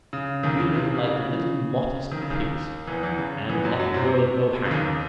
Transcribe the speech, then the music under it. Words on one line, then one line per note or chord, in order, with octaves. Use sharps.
We live like little modest pigs. And let the world go hang.
C#3
D#2 D#3
C#3
C3
C#3
C3
C#3
D#3
C#3
D#2 D#3
E2 E3
E2 E3
C#3
E2 E3
F#2 F#3
F#2 F#3
C3 C4
C#3
D#2 D#3